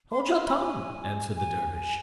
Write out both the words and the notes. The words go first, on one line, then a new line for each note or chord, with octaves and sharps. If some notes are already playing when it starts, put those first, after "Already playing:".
"Hold your tongue," answered the Dervish.
C6
B5
C6
B5
G#5
G#5
G#5